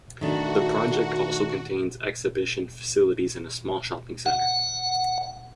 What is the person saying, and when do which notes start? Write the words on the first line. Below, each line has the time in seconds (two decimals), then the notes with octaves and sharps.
The project also contains exhibition facilities and a small shopping center.
0.21 D#3 A3 D4 F#4
4.26 F#5